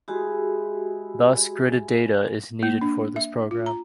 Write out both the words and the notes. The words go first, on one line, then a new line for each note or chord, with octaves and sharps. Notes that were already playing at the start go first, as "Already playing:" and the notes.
Thus, gridded data is needed for this program.
G#3 E4 F#4 G4
A#3
D4
E5
F4
A#5